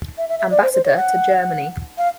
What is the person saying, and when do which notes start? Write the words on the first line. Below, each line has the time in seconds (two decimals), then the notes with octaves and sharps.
Ambassador to Germany.
0.18 E5
0.29 E5
0.39 E5
0.51 D5
0.63 C5
0.73 C5
0.85 C#5
0.97 F#5
1.98 F5